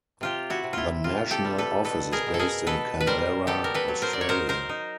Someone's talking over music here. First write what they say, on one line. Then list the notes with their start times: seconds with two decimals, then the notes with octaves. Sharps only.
The national office is based in Canberra, Australia.
0.21 C3 F4 G4
0.50 E4 F#4
0.64 C3
0.73 E4 F4
1.04 C3 F4
1.31 G4 A4
1.45 G3
1.58 A4 B4
1.85 B2 A4 B4
2.12 G#4 A#4
2.26 B2
2.34 A4
2.39 G#4 A#4
2.66 B2 A4 B4
3.01 B4
3.07 G3 A#4 C5
3.47 B3 G4 A4
3.64 A#4
3.74 A4 B4
3.88 F#3
4.02 A#4 C5
4.13 D5
4.21 C#5
4.29 D#4 A#4 C5
4.49 A#4 C5
4.69 D#4